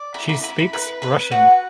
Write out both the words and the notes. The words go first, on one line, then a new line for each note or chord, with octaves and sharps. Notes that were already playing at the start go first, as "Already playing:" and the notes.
She speaks Russian.
Already playing: D5
E4 B5
B5
E4 B5
B5
B4 B5
B4 B5
F#4 F#5